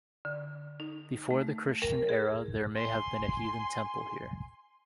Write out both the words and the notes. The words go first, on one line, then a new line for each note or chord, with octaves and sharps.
Before the Christian era there may have been a heathen temple here.
D3
D#4
A3
A#4
G#4
G#5 C6